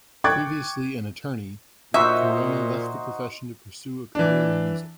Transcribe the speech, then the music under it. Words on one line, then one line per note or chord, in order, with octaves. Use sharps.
Previously an attorney, Korona left the profession to pursue a career in music.
G5 C#6 D6 F#6 G#6 A6
A#2 D#4 F#4 C5 E5
E3 D4